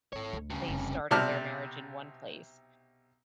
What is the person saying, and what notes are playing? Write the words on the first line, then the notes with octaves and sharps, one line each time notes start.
they started their marriage in one place.
G#1 A4 C#5
D2
G2 C#3
F1
B1 C3 D5 A5 F6